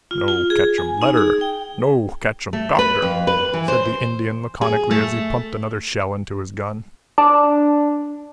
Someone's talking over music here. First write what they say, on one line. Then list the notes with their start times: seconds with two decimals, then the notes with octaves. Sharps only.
"No ketchum letter, no ketchum Doctor," said the Indian laconically as he pumped another shell into his gun.
0.11 F4
0.28 F4
0.50 G#4
0.78 G#5
1.01 D#4
1.17 G#4
1.41 G5
2.53 A3
2.79 B4
3.02 F2
3.27 B4
3.54 E3
3.68 C5
4.61 G#4
4.91 A3
7.18 D4